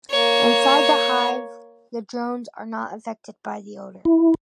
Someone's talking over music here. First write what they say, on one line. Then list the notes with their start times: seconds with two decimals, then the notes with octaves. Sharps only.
Inside the hive, the drones are not affected by the odor.
0.11 A#3 C#5
4.05 E4